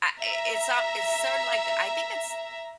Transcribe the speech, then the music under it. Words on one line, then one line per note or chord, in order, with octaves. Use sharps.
I i it's so it's sorta like, I think it's
E5 A#5